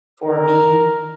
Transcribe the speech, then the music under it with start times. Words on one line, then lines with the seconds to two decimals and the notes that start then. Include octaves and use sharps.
for me,
0.24 A#4 A#5